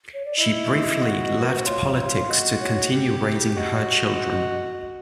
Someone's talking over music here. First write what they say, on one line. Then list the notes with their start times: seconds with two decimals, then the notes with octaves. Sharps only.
She briefly left politics to continue raising her children.
0.14 C#5
0.25 D5
0.37 E4 D#5
1.01 F#4
1.41 A#4
1.48 B4
1.57 C5
1.65 F4 C#5
2.28 F#4 D#5
2.61 C#5
2.93 G4
3.56 F#4 D#5